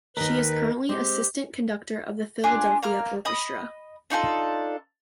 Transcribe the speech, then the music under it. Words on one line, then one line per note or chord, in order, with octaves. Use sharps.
She is currently Assistant Conductor of the Philadelphia Orchestra.
D#2 D#3 A#4 B4
G#3 C4 G4
D4 F4 G#4
A#3 A#5 F6
D#5 B5 D#6
D4 D#4 F4 A4